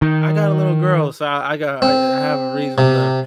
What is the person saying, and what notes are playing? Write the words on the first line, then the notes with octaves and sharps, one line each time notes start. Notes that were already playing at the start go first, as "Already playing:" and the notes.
I got a little girl, so I I got I I have a reason, uh,
D#3
C4
C3